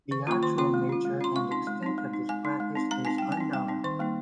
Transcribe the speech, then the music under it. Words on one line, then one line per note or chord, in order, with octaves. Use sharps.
The actual nature and extent of this practice is unknown.
D#3 C#6
A#3 C#4 F4 C#6
D#3 C6
A#3 C#4 F4 C6
G#3
C#4 F4
G#3
C#4 F4 C6
G#3 C#6
C4 D#4 C6
G#3
C4 D#4
G#3
D#4
G#3 G#5
D#4
G#3
C4 D#4
G#3 A#5
C4 D#4 G#5
G3 G5
G#5
C4 D#4
G3 G5
C4 D#4
D#3 C6
G3 A#3 D#4